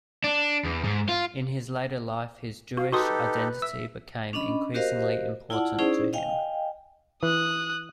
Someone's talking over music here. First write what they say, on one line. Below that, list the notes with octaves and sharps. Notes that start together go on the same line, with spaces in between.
In his later life, his Jewish identity became increasingly important to him.
D4
E2
G#2
F4
F#4 F5
D#4 F#4 G4 A4 B4 C6 D#6
E5 E6
C#4 D4 D#5 B5
F#4 G4 A#4 C5 D#5 F5
E4 F4 D5 F#5 A5
C#4 D#4 E4 G#4 C5 D5
D#5 F5 G5 G#5
E3 D#6 F#6